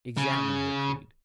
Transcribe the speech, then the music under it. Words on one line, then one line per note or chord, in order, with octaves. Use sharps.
Examine her creed.
C#3